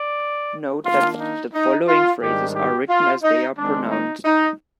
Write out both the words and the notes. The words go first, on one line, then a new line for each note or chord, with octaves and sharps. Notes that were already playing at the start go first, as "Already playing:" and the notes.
Note that the following phrases are written as they are pronounced.
Already playing: D5
D#3 A#3 D4 F4
D#4
D#4
F4
G#2 D#3 G3 D4 G4
G4
F4
D#4
D#3 G#3 C4 D4
D#4
D#4